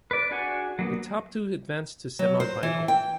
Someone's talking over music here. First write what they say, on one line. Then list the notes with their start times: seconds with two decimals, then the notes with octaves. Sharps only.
The top two advanced to semifinal.
0.11 B4 D5
0.31 D4 F#4 G#4 F#5 G#5
0.79 F#3 A#3 B3
2.19 F#3
2.40 C5
2.63 E3
2.88 G5